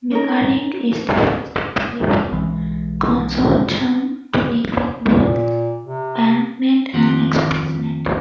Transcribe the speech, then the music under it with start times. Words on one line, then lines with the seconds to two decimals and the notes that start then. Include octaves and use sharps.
MegaLink is the first Philippine consortium to link with both BancNet and Expressnet.
0.11 C#4 D#4 A#4
2.32 B1 E3 G#3
5.18 A#2
5.85 C3
6.93 F2 D#3 C4 F4 G4 F#5